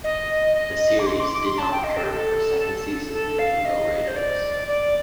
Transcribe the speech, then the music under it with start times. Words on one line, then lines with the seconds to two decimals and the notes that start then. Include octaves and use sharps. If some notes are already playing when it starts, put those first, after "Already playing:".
The series did not return for a second season due to low ratings.
0.04 D#5
0.55 D#5
0.99 D6
1.06 C6
1.20 D6
1.33 D6
1.46 C6
1.58 A5
1.72 G5
1.84 D#5
1.97 A4
2.03 G4
2.11 A4
3.14 A4
3.39 F5
3.65 D#5
4.08 C5
4.16 D5
4.68 D5